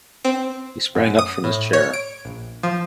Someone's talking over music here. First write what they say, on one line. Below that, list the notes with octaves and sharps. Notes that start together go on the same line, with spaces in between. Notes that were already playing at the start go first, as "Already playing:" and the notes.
He sprang up from his chair.
C4
F#2
D#6
A2
C#5
D7
A#1
F3